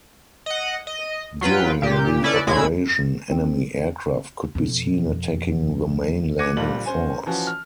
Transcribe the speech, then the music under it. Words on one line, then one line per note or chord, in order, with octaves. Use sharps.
During the operation, enemy aircraft could be seen attacking the main landing force.
D#5 F#5
D#5
F#3 F4 B4 G5
A#2 G4
C#4 E4 A4 B4 D5
C2 A2 G#3 E4 B5 G#6
C4
F2 B2
D6 F#6 G#6 A#6 C#7 D#7
A#1 A#2 D3 G3 D4 F#7
C#4 C5 G#5
E3 F3 C#4 F#4
F6